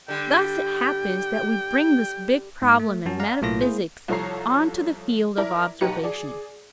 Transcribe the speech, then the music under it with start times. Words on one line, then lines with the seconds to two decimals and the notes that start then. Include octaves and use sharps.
Thus it happens that we bring this big problem in metaphysics on to the field of observation.
0.08 D3 G3 G5
2.62 G#2
2.79 A3
3.06 F#2 C#4 F#4 A5
3.20 D5 F5 F#5 A#5
3.42 B1 A2 A#3 F4 A#6
3.61 A#3 E4 G#4 C5
4.08 C2 F3 A4 C#5 A#5 C7
5.37 E4 A#4 D5
5.81 B1 D#4 G4 B4 A#5 C#7
6.03 G#4 D5